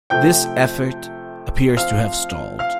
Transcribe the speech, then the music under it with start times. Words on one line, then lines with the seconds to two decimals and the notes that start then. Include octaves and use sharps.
This effort appears to have stalled.
0.10 C3 F3 A3 G5 G6
1.77 F3 C4 F4 F5 F6
2.59 F5 F6